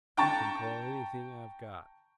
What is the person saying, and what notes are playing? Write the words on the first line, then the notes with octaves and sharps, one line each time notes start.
He can call anything I've got.
G5 A5 A#5 C#6 A6